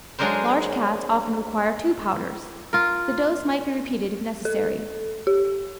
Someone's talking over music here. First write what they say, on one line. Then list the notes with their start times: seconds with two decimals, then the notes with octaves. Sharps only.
Large cats often require two powders. The dose might be repeated if necessary.
0.19 F#3 G#3 D4 A#4 C5
2.73 F4 A#4
4.45 A4
5.27 G4